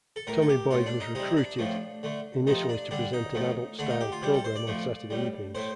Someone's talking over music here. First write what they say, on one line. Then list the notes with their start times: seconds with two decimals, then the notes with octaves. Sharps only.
Tommy Boyd was recruited, initially to present an adult-style programme on Saturday evenings.
0.16 A4
0.27 A2 A3 A#4
0.42 A4
0.49 G4
0.71 A2 A3 F4
0.86 D4
1.00 D#4
1.15 C3 G3 D#4
1.37 D4
1.59 A2 F3 A3
2.03 D3 A3
2.47 C3 F3 A3 D#4
2.69 D4
2.91 D3 G3 D4
3.13 D#4
3.35 A2 F3 A3
3.79 D3 A3 D4
3.90 D#4
4.01 G4
4.12 F4
4.23 C3 G3 G4
4.34 A4
4.45 C5
4.56 D5
4.67 A2 F3 A3
5.10 A2 G3
5.55 A2 A3 C5